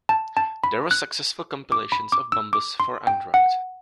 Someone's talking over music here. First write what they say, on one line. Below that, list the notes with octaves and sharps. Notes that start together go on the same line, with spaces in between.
There was successful compilations of Bombus for Android.
A5
A5
B5
F#6
D6
B5
D6
E6
D6
C6
G5
F#5